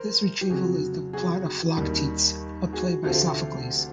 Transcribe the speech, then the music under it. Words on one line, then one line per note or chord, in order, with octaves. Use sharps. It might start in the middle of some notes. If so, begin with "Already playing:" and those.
This retrieval is the plot of "Philoctetes", a play by Sophocles.
Already playing: E3 A#4 C5
G4
F2 C#3 F#3 F#4 G#4
F#4 G#4
D#2 D#3 G3
F#4 G#4
D2 C3 F3 A3 C4 F4 G4